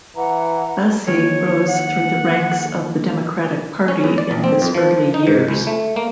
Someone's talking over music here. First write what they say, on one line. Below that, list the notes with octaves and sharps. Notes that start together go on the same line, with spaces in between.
Fasi rose through the ranks of the Democratic Party in his early years.
E3 F#5 A#5
D#2 C#5
F#5
C#4
E2
D5
A#1
C4
F2
F3
D#4
G#2
C#2
A3
A#3